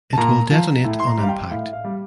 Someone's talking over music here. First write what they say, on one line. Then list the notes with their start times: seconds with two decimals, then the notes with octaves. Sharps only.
It will detonate on impact.
0.13 A5
0.18 A#2 A#5
0.51 F3
0.84 A2
1.00 C6
1.07 A#5
1.18 G3
1.23 F5
1.29 G5
1.51 A2 F5
1.73 F5
1.84 G3